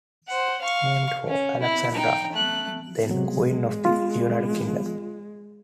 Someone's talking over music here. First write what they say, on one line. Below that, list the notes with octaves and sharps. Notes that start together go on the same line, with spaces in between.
Named for Alexandra, then Queen of the United Kingdom.
C5 F#5
F5 C#6
C#4
E4
D#4 G5
A3 F#6
C3 F#3 G#3
F4